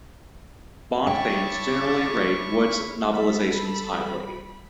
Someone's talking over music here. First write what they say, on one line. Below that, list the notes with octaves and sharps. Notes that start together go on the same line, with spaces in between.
Bond fans generally rate Wood's novelisations highly.
E4 C#5 D5 G5 A5 B5 C#6
G3 A4 B5